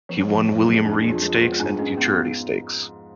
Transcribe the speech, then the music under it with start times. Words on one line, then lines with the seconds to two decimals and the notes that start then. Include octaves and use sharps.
He won William Reid Stakes and Futurity Stakes.
0.09 F3 B3
0.29 F2
0.35 F3
0.48 F2
0.60 F#3
0.66 G#3
0.84 F2 D4
1.01 G#3 D4
1.09 F4
1.22 G#3
1.35 F4
1.41 B3
1.60 G#2 D4
1.79 G#3 C#4
1.98 B3 F4